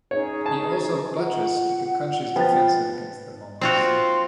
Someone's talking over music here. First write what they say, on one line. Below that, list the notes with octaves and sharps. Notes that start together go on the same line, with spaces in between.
He also buttressed the country's defences against the Mongols.
C#4 D#4 G#4 C#5
A5
F4 F#5
F3 B3 G5 A6
C4 F4 F#4 C6